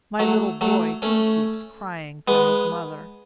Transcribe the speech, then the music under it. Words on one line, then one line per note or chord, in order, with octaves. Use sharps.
My little boy too keeps crying for his mother.
F#3 A3
F#3 A3
A3 C#4
G#3 B3